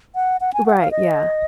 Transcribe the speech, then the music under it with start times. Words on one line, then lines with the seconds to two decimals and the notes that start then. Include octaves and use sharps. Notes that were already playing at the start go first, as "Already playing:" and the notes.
Right. Yeah.
0.15 F#5
0.41 F#5
0.54 G#5
0.66 F#5
0.79 F5
0.91 D#5